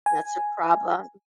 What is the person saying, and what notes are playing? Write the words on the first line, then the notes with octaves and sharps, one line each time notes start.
That's a problem.
G#5